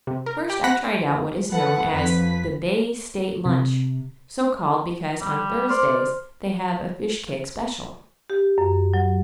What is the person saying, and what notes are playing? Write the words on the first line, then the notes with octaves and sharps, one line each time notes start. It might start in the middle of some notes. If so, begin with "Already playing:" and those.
First, I tried out what is known as the Bay State Lunch, so called because on Thursdays they have a fishcake special.
C3
A#4
G4
F#5 B5 F#6 A#6 B6
A4 B4 F#5
F2 B4 B6
C3
G3
C5 D5 C6 F6
G4
F#2
F#3